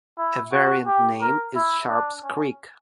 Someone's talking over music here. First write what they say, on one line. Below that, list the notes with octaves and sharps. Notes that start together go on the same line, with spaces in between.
A variant name is "Sharps Creek".
E4
F#4
G4
A#4
E4
D4
C#4